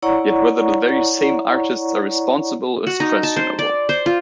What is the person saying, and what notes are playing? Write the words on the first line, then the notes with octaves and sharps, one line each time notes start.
Yet whether the very same artists are responsible is questionable.
E4 C#5 D5 F#5 A#5 C#6
F#4
D#4
A5
C5
D5
C5
F4